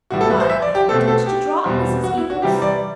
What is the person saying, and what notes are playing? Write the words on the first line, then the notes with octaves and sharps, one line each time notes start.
'Why, I haven't touched a drop, Mrs. Eagles!'
A2 E3 G3 F#4
A4
B4
C5
E5
D5
G4
B2 A3 C4 A4
A4
G4
E2 B2 G3 C4
F#4
E4
F#4
C3 E3 G3 G4
D5